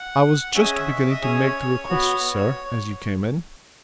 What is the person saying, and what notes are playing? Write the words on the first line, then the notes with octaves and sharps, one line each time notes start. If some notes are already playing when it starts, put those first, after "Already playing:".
"I was just beginning to make the request, sir, as you came in."
Already playing: F#5
C#4 G#4 E5
D#5
E5
D#5
C#4 G#4 C#5
B3 F#4